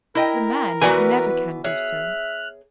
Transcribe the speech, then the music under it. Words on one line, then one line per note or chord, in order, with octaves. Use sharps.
The man never can do so.
E4 A#4 D#5 G5
E3 B3 F#4 B4 D5 G#5 A#5
G#4 C#5 E5 F6 F#6